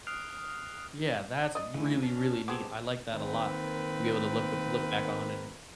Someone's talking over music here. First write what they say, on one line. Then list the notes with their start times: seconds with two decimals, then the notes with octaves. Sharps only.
Yeah. That's really, really neat, I like that a lot, to be able to look up look back on and
0.07 D#6 F6 F#6 C7 D7 F7
1.55 D5 D#5
1.74 C#3 E3 A3
2.03 C#4 D4
2.48 B3 C4 G4 G#4 A5 D6
3.12 D#3 A#3 C4 A#4 B4